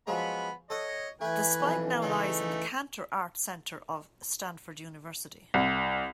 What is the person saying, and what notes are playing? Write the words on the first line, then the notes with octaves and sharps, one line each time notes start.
The spike now lies in the Cantor Arts Center at Stanford University.
F3 F#3 G#3 B3 B5
A4 C#5 D#5 F#5 D#6
E3 A3 B4 G5 G#5
B1 F2
C#3 A3 D#4 G5
C2